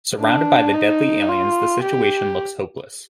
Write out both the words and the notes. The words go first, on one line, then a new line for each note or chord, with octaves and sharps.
Surrounded by the deadly aliens, the situation looks hopeless.
D4
D#4
F4
G4